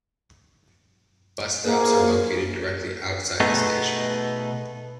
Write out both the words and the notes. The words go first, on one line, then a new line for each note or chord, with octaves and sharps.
Bus stops are located directly outside the station.
F3 A#3 E4 G#4 A#4
B2 A3 B3 D#4 G#4